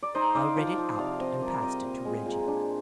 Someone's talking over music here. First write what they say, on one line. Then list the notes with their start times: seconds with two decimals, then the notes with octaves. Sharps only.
I read it out and passed it to Reggie.
0.03 D5
0.15 D#4 C5 D#5
0.35 D#4 D5 F5
0.56 F3 D5 F5
0.78 F3
0.99 C3 D5 F5
1.20 C4 C5 D#5
1.41 G3 A#4 D5
1.62 C4 C5 D#5
1.84 A#2
2.05 G#3
2.26 A#2
2.48 D4